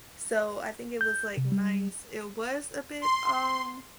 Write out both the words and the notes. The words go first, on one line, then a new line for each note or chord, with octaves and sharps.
So I think it was, like, nice. It was a bit, um,
G6
C3
G3
C6